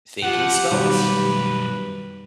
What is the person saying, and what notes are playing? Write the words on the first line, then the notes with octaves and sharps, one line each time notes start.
"thinking spells"?
F3 G4 F#5
F#2 B2 D#3 G3 F#4 B4